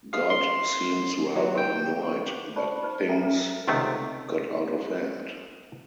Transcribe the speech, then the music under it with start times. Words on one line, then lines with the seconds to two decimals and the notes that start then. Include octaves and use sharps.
God seems rather annoyed that things 'got out of hand'.
0.13 F5
0.30 C6
1.36 F#3
1.58 G5
2.02 F#5 G5 C#6
2.28 D6
2.56 C5 D5 A5 B5 C#6
2.82 D#4 B4 C5
3.09 A4 E5 G5 G#5 A#5
3.23 A4 B4 A#5
3.68 C#2 C3 D#3 A3 B3 C4